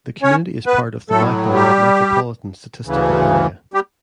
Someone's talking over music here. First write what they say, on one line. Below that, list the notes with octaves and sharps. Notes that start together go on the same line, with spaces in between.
The community is part of the Macon Metropolitan Statistical Area.
C#4 C#5
B3 B4
A2 F#3 A3 A4
G3 G4
D2 C#3 E3
G3 G4